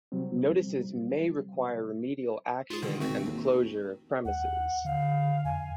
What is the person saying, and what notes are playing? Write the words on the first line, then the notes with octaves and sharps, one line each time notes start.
Notices may require remedial action and the closure of premises.
C3 F#3 G3 C4
G#2 F4 G#4
B2 D3 D#3
G#1 A3 C4 F#4
D#2
D#2 F#5
D3 F5
F2 G#5